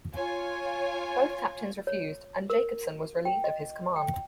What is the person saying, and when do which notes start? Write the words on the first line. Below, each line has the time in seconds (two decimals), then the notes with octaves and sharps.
Both captains refused, and Jacobsen was relieved of his command.
0.15 F4 C#5 G#5
1.87 C#5
2.50 A#4
3.25 G5
3.44 D#5
3.96 G5